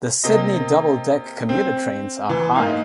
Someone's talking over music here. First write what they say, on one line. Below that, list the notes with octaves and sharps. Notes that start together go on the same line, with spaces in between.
The Sydney double deck commuter trains are high.
C3 A#3 D#5
C4
E3
G#2 A#3 D#4 F5